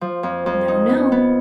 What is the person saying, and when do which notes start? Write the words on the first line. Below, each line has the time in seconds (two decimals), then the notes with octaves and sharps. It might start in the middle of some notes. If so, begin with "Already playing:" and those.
No, no.
0.01 F3
0.23 F2
0.46 F2
0.68 D#4
0.89 B3
1.12 B3